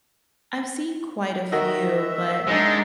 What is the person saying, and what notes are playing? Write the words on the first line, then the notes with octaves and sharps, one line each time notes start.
I've seen quite a few, but,
D#3 F#4 D#5 E5
G#3 D4 D#4